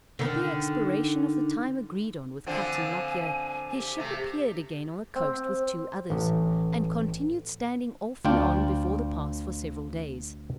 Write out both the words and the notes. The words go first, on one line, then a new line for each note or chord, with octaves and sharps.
At the expiration of the time agreed on with Captain Lockyer, his ship appeared again on the coast with two others, and continued standing off and on before the pass for several days.
D3 D#3
D3 F3 C4 G#5
G4
C3 A3
C4
A1
D2 D4 F4 G5